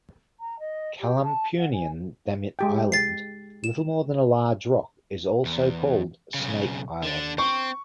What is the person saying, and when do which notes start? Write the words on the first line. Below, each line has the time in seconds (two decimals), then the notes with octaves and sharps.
Kalampunian Damit Island, little more than a large rock, is also called Snake Island.
0.40 A#5
0.59 D#5
1.00 G4
1.23 A5
1.58 F#5
1.72 G#5
2.59 G#3 G4 G5
2.92 A6 C7
3.64 E7
5.45 E2
6.34 B1 C#3
7.03 D3 D4
7.38 C4 C#6